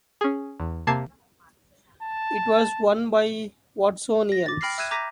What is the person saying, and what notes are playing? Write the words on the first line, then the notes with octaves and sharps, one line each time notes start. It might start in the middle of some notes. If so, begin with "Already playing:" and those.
It was won by Watsonians.
C#4 G#4
E2
C3 A#3 A5 G#6 C7
A5
A#6
D6 A6
G5 B5 F6 A#6 C7
E5 E6 F#6 G#6 D#7 E7
A#5 D6 G6 A#6 B6 D#7